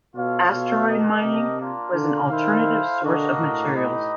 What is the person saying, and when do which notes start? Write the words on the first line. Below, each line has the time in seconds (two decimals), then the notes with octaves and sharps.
Asteroid mining was an alternative source of materials.
0.15 B2 F4 A4 C#5 F5
0.50 B2
0.86 D4 G4 A#4 D#5
1.23 C3
1.58 A#3 D4 F4
1.94 D3
2.30 D#3 E4 A4 C5 F5
3.02 D3 A#3 D4 F#4 A#4 D#5
3.38 A2
3.74 D#4 G4 B4 D#5